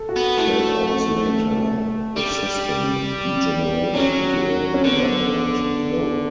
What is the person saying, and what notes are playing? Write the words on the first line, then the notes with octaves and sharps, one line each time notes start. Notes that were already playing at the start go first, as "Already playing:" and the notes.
Twelve hours later, the system degenerated into a remnant low.
Already playing: A4
F#4
B3
A3 E4
G3
F#3 C#4
C#4
D3 B3